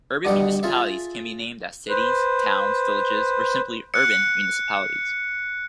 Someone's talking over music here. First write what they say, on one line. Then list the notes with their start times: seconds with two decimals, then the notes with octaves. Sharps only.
Urban municipalities can be named as cities, towns, villages or simply urban municipalities.
0.25 G2 B2 D3 G3 F#5 D#6
0.63 F4 G#4 A4 E5
1.89 B4 C5
3.94 F#6 C#7